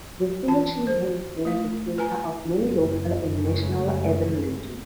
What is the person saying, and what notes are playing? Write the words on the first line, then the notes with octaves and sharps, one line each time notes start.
The cemetery has been the center of many local and national urban legends.
E3 F4 A5
C5
A3 F5
B4 G#5 A#5
F#1
F#2 C#3 G#3 A3 C#4